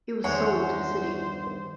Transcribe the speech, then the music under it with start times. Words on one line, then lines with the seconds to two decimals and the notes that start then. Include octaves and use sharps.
It was sold to the city.
0.24 E2 G2 D#3 G#3 G#4 C5 C#5 F#5